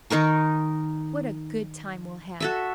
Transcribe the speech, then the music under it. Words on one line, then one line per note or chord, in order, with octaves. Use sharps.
What a good time we'll have!
D#3 D#4 A#4 C#6
F#4 A4 E5